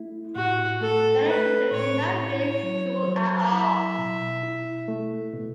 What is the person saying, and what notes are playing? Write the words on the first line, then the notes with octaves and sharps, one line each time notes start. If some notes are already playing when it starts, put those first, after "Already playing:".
Many children did not finish school at all.
Already playing: A3 E4
A2 F#4
A3 A4
A3 B4
A2 C#5
E4 C#5
F#3
F#3
E4 E5
B2
E4
A3
B2